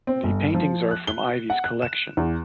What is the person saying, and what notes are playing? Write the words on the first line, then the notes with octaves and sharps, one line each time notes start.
The paintings are from Iveagh's collection.
C4
G1
F3
F#6
G7
F#5
F#6
E7
E2